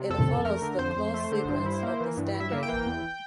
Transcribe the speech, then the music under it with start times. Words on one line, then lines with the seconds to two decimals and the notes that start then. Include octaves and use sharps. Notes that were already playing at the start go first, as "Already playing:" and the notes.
It follows the clause sequence of the Standard.
Already playing: C3
0.10 F2 A4
0.28 F2
0.45 A3 A#4
0.62 D3
0.79 F2 C5
0.96 F2
1.14 A3
1.32 D3
1.48 G2
1.66 E4
1.83 A#3
2.01 E3
2.17 G2
2.34 E4
2.40 E5
2.52 A#3
2.63 G5
2.68 E3
2.86 E2